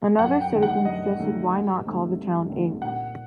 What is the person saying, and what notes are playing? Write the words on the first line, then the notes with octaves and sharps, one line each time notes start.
Another citizen suggested why not call the town Ink?
F#2 F#5
G5
D3 A3 D#4
F#5
F#2 D#5
D3 A3 D#4
G2
D3 A3 C4 D#4
G2
D3 A3 C4 D#4
A#2 F#5